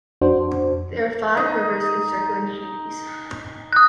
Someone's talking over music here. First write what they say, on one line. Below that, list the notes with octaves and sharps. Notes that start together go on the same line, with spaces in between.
There are five rivers encircling Hades.
F2 D4 F#4 C5
D#4
D#6 F#6